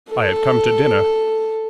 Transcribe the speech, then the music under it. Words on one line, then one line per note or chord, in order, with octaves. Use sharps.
I have come to dinner.
A4